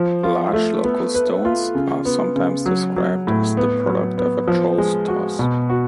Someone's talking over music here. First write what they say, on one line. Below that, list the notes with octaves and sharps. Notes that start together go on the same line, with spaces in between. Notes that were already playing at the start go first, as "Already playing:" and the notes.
Large local stones are sometimes described as the product of a troll's toss.
Already playing: F3
F4
A3
B3
B4
F4
C#3
B3
C#3
F#3
F#3
A2
B3
F#3
B3
F3
G#3
F#4
B2
F#4